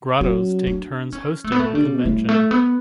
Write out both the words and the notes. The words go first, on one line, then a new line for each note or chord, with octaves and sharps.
Grottos take turns hosting the convention.
F#3 C#4
D4
C#4
A3
B3
A3
D3 G3
C#3
B2
A2 G3
A3
B3